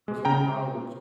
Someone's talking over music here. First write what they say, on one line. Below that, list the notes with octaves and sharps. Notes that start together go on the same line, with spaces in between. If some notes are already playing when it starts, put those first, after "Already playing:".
I was into college,
G#3
C#3 G5 A#5